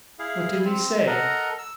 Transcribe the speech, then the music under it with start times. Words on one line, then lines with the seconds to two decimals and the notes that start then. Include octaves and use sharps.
"What did he say?"
0.19 E4 G#4 F5
0.65 C4
1.07 A4 A#4 D#5 F#5 A#5
1.58 E6